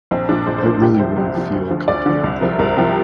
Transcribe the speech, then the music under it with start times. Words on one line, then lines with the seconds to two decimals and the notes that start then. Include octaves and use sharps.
I really wouldn't feel comfortable with that.
0.11 A#1 C4
0.29 A#2 F3 D4
0.47 A#1 C5
0.58 C5
0.64 A#2 F3
0.70 A#4
0.81 C2 G4
0.99 C3 F3 C5
1.17 C2
1.35 C3 F3
1.53 D2
1.70 D3 F3
1.88 D2 D5
2.06 D3 F3
2.24 C2
2.41 C3 F3 A#4
2.59 C2 A#4
2.77 C3 F3 G4